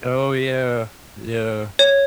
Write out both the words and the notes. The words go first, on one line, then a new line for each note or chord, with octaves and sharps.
Oh, yeah, yeah.
C#5